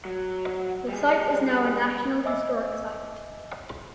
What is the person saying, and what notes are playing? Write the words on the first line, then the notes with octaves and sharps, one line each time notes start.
The site is now a National Historic Site.
F#3
G3 G#4
D#5 E5 G#5 D6 E6